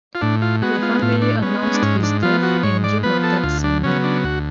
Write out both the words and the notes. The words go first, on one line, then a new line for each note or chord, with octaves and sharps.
The family announced his death in June of that same year.
F4
A2 D4
F4
G#3 B3 F#4
F4
A2 F4
D4
G#3 B3 C#4
C#4
D4
G#2 C#4
D4
F3 B3 F4
F#4
G#2 C#5
D5
F3 B3 B4
A4
D2 F4
D4
C#3 F#3 B3 C#4
D4
D2 F#4